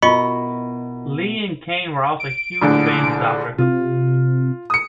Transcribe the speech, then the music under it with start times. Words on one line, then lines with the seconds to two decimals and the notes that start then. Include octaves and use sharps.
Lee and Kaiine were also huge fans of "Doctor Who".
0.02 B2 E4 F4 A#4 D#5 B5 C#6 C#7
2.20 D7
2.62 A#1 A2 D3
3.58 C3 F4
4.70 D#6 C#7